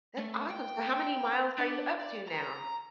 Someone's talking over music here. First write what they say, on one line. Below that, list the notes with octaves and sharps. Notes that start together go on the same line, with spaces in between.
That's awesome. So how many miles are you up to now?
A3
G5
D4
D5
A#5